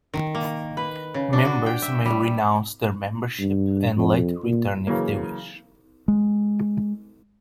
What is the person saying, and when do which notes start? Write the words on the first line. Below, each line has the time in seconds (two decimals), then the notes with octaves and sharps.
Members may renounce their membership and later return if they wish.
0.14 D#3
0.35 A#3
0.77 B4
1.14 C#3
1.33 D4
1.45 F#4
1.66 G5
1.82 E5
2.05 G3
3.39 G2
3.97 F2
4.44 A#2
4.87 C#3 E3 F#3 A#3
6.08 G#3